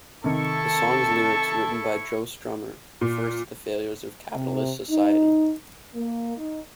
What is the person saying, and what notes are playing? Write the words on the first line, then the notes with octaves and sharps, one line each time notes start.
The song's lyrics, written by Joe Strummer, refers to the failures of capitalist society.
C3 D#3 E4 A4 A5 C#6
A#2
C3
D#4
A#3
D#4